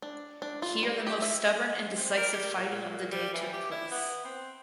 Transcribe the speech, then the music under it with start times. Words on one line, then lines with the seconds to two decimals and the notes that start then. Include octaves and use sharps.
Here the most stubborn and decisive fighting of the day took place.
0.02 D4
0.42 D4
0.62 F4
0.83 G3
1.07 G4
1.22 E5
1.96 C4
2.17 A#4
2.32 G3
2.56 A#2
2.71 A#2
3.11 G3
3.33 E3
3.53 G4
3.71 E4
3.91 B3
4.25 C4